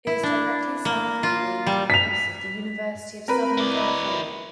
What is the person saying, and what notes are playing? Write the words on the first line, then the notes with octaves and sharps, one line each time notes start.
It is directly south of the main campus of the University of Southern California.
E4
D4
A#3
F4
G3
B6 F7
C4 A#4 B4
E4 D5
D#5 E5